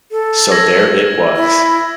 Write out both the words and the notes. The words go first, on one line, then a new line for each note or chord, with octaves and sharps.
So there it was.
A4
E6 G#6 A#6
E4